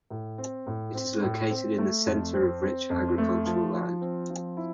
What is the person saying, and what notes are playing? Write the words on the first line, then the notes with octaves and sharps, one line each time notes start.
It is located in the center of rich agricultural land.
A2
C4
A2
C4
A2
C4
A3
F2
C4
C4
F2
A3
F3
F3
C4
F3
E4